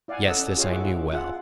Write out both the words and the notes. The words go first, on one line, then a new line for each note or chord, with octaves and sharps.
Yes, this I knew well.
E4 D5 F5 F#5 G#5
C#4 A4 D#5 F#5 E6
F4 G4 G#4 C#5 D#5 F5
E4 G#4 E5 F#5 C#6 D6
F4 G#4 E5 F#5